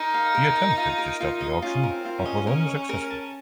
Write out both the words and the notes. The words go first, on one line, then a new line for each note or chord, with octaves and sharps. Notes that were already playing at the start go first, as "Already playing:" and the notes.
He attempted to stop the auction, but was unsuccessful.
Already playing: D#4 A#4
F5
A#4
A#5
F4
A#4
F4
D#5
C#4 F4
A#4
C4
F4
C#4
D#5
C#4 A#4
C#5
A#4
A5